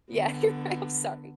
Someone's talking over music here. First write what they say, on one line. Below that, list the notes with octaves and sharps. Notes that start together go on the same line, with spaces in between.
Yeah, you're right, I'm sorry.
D3 B3